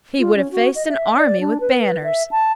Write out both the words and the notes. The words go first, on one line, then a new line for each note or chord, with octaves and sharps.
He would have faced an army with banners.
F4
C#4
F#4
D#5
E5
D5
D4
B4
B4
E5
A5